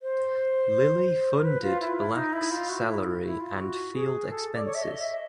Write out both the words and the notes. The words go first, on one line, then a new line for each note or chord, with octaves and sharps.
Lilly funded Black's salary and field expenses.
C5
A#4
B4
F4
E4
E4
D#4
E4
F4
F#4
E4
E4
F4
F#4
G#4
A4
D5
C#5
E5
D#5
E5